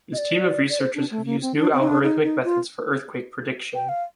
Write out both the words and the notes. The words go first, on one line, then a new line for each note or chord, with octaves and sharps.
His team of researchers have used new algorithmic methods for earthquake prediction.
D#5
D5
D5
C5
D4
A3
A#3
C4
D4
C4
D#4
D4
D#4
D#4
F4
G5
F5